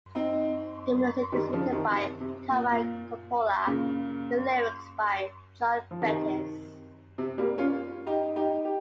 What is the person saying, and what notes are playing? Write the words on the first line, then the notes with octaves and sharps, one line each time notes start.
The music is written by Carmine Coppola, the lyrics by John Bettis.
C4 D#4
D#3 G3
C#3 F3
C3 D#3
C3
C3
A#2
A#2
A#2 C#3
F3
C3 D#3
C3
G3 A#3
C#4 F4
D#4 G4
D#4 G4
G4